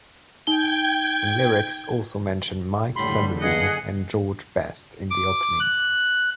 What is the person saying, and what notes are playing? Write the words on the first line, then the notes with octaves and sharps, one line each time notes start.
The lyrics also mention Mike Summerbee and George Best in the opening.
D#4 G5 G6 G#6 G7
F#1 A2 D3 G3 B5 C6
G2 G#4 D#5 F#5
D6
F#6